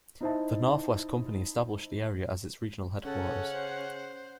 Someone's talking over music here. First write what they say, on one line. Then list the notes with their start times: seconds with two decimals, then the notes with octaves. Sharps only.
The North West Company established the area as its regional headquarters.
0.21 D#4 E4 C5 D#5 E5 A5
3.05 C#3 C#4 A4 F#5
3.52 C5